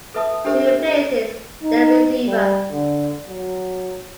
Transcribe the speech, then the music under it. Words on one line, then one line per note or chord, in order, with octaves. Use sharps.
She replaces the receiver.
A4 B4 E5 A5 D#6
D4 G4 A4 A#4 C5 E5
D#4
G3
D3
F#3